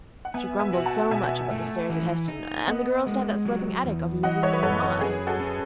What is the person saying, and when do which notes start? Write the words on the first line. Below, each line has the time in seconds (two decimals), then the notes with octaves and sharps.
She grumbles so much about the stairs at Heston; and the girl is to have that sloping attic over your room and mamma's.
0.25 F#5
0.34 B3 E5 G#5
0.59 E5 G#5
0.73 F#4
0.86 F#5 A5
1.11 B2 E5 G#5
1.51 A3
1.89 E3
2.28 D#4
2.67 B3 D#5 F#5
3.07 G#3
3.45 F#3
3.84 E2
4.23 E3 D#5 F#5
4.42 C#5 E5
4.53 B4
4.63 F#2 A4 C#5
4.82 B4 D#5
5.01 C#4 G#4 B4
5.27 F#4 A4
5.40 C#4